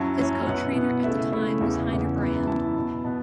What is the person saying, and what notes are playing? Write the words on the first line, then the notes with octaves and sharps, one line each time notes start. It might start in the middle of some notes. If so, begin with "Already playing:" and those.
His co-trainer at the time was Heiner Brand.
Already playing: F#2 F#3 C#4 E4 A5
F#2 F#3 C#4 E4
B2 B3 E4 F#5
B2 B3 E4
C#3 A3 E4 E5
C#3 A3 E4
E2 C#3 E3 E5
E2 C#3 E3
F#2 E3 B3 E4
F#2 E3 B3 E4 A5
B2 B3 E4
B2 B3 A5